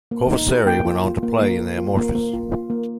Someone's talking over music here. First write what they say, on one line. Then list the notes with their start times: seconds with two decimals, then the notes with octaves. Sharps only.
Koivusaari went on to play in Amorphis.
0.11 A#3
0.30 D#4
0.49 G4
0.66 A#3 G5
0.85 F4
1.04 F4
1.23 A#3
1.42 A#3
1.59 F4
1.78 F4
1.97 A#3
2.15 A#3
2.33 F4
2.52 F4
2.70 A#3